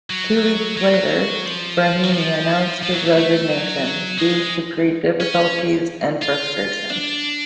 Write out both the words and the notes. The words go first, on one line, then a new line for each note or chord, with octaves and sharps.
Two weeks later, Brahimi announced his resignation, due to great difficulties and frustration.
F#3
F#3
F3
F#3
F3
F3
F#3
A3
A3
F#3
G#3
C#4
F4
D4